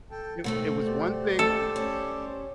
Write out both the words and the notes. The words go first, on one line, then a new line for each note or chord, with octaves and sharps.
It it was one thing
A4 G5 A5
B2 D#3 A3 C4
G4 C5 D5
A3 A4
C#4